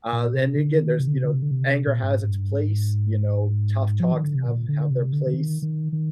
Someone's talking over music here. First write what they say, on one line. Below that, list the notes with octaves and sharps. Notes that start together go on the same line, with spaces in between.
uh, and again, there's, you know anger has its place, you know, tough talks have have their place,
A#2
C3
D3
D#3
C3
D3
C3
D3
C3
D3
C3
A#2
G2
G#2
G#2
G2
G#2
F3
D#3
D3
C3
A#2
D3
C3
D3
D3
D#3
D#3
D#3